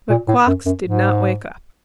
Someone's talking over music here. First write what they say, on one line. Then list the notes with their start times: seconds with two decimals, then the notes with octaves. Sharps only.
But Quox did not wake up.
0.09 A#2
0.28 A2
0.47 F#2
0.66 F#2
0.85 G#2